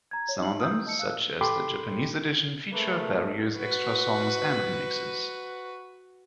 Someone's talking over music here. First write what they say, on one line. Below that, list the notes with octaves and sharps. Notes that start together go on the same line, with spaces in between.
Some of them, such as the Japanese edition, feature various extra songs and remixes.
A#5 G#6
C#5
D#4 F#7
A#5 D#6 E6 G6
D#5 A5 E6 C#7
F5 E6 F#6
G4 A4 G5 B5 C6 D6
A3 A#3 G#4 B4
F#4 B4